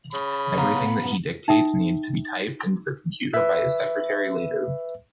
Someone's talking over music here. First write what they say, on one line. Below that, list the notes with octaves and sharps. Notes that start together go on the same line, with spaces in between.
Everything that he dictates needs to be typed in the computer by his secretary later.
C#3 B5
B3 F5 A#5
D#4 E5 G5 D#6
B4 E5